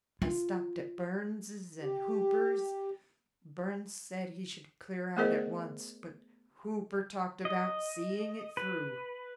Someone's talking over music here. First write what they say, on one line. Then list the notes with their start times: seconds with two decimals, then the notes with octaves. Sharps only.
I stopped at Burns' and Hooper's. Burns said he should clear out at once, but Hooper talked about seeing it through.
0.22 F4
1.82 G4
5.17 A3 B3 G#4 A#4 C5 D#5
7.45 D#5
8.57 B4